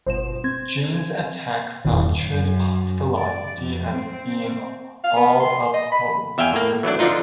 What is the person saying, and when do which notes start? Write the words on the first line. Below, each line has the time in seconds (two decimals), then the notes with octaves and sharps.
James attacks Sartre's philosophy as being "all a pose".
0.06 G1 B2 C5 E7
0.44 C4 G#6
1.84 D#1 E2 G2 C#3
2.25 F#2
3.17 D5
3.59 F2
3.91 C4
5.04 F5
5.16 B3
5.40 C6
5.74 D#5
5.92 B5
6.38 E2 E5 F5 G5 G#5
6.53 A2 A#3
6.83 E3 F#3 A3 D4
6.99 D3 F3 D4 D#4 F4